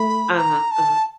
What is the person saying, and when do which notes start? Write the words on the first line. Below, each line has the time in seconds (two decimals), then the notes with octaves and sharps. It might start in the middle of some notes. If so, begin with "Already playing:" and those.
Uh-huh. Uh-huh.
Already playing: A3 B5
0.37 A#5
0.71 A5